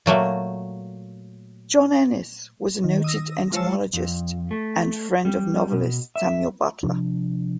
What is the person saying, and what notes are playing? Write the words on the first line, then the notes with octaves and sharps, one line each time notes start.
John Enys was a noted entomologist, and friend of novelist Samuel Butler.
A#2 F#3 A3 A#3
D#3
D#6 E6 A#6
G#3 F4 C5 C#5 A5 E6
F2
A3
G3
B2
E5
C3 F3 D4